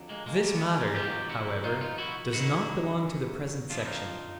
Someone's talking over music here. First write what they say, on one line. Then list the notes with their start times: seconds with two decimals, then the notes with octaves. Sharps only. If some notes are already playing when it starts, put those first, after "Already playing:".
This matter, however, does not belong to the present section.
Already playing: F2 D3 F#3
0.09 G#3 A#3
0.26 G#3 A#3
0.44 G3 A3
0.55 B3
0.61 G#3 A#3
0.78 C#4 D#4
0.95 F2 C3 D#3 F#3 F4 G4
1.29 E4 F#4
1.64 D#4 F4
1.81 D#4 F4
1.98 E4 F#4
2.32 F#2 D#3 F#3 E4 F#4
3.69 F2 D3 F3 F4
3.78 E4
3.85 D#4 F4